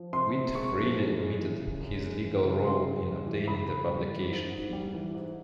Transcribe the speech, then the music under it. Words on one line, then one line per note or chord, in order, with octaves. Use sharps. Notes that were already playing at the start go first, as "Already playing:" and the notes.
Witt freely admitted his legal role in obtaining the publication fee.
Already playing: F3
C3 C6
C3
G#3 C#6
F3
F#2
G#3
E3
C#3
F#2
G#3
E3
C#3
C#3 C6
C#3
G3
E3
C#3 B5
C#3
G3
E3
G#2
G#2
G3
E3
G#2